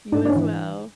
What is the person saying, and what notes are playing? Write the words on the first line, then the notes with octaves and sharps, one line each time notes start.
You as well.
G#2 D4
D4
C#4
E3